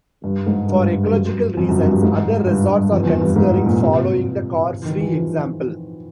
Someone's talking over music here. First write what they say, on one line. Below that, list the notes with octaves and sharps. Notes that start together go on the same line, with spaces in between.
For ecological reasons other resorts are considering following the car-free example.
G2
G#2
G2
G2
F#2
F2
F#2
G2
G2
G#2
G2
G2
F2
E2
F2
G2
G#2
A2
A#2
C3
E3
D#3
E3
F3